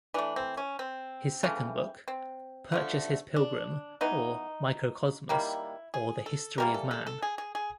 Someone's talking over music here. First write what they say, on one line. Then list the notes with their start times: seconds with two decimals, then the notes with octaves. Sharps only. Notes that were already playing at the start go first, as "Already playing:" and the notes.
His second book, Purchas his Pilgrim or Microcosmus, or the Historie of Man.
0.14 E3 A3 D4
0.36 C4
0.57 C#4
0.79 C4
1.43 C#3 E3 A3
2.08 C4
2.72 D3 F3 A3
3.36 D4
4.01 E3 G#3 B3 D#4
5.29 D#3 G3 A#3 E4
5.94 G#4
6.26 A4
6.58 E3 G3 A#3 A#4
6.74 A4
6.91 A4
7.07 A4
7.22 G#4
7.38 G#4
7.55 G#4